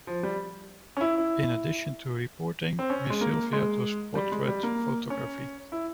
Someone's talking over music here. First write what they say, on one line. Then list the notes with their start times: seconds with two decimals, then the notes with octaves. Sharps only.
In addition to reporting, Miss Silva does portrait photography.
0.07 F3
0.23 G3
0.97 C#4
1.01 E4
1.17 E4
2.79 C4
2.90 C#4
3.10 G#3
3.21 A#3
3.53 G#3
4.15 G3
4.32 G#3
4.47 G3
4.63 A#3
5.10 C#4
5.72 E4